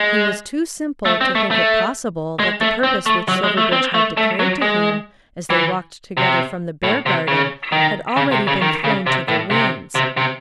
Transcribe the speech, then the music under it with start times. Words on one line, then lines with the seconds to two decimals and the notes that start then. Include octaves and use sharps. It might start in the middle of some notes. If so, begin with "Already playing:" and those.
He was too simple to think it possible that the purpose which Silverbridge had declared to him as they walked together from the Beargarden had already been thrown to the winds.
Already playing: G#3
1.05 A3
1.21 C4
1.35 A3
1.51 A3
2.39 G#3
2.61 A3
2.83 C4
3.06 A3
3.28 F#3
3.44 G#3
3.57 A3
3.72 C4
3.94 A3
4.17 A3
4.39 F#3
4.62 G#3
5.50 E3
6.17 C3
6.84 A2
7.06 C3
7.28 C#3
7.72 D#3
8.17 C#3
8.32 C3
8.47 C#3
8.62 D#3
8.84 C#3
9.07 C3
9.28 A2
9.51 C3
9.95 C3
10.17 C3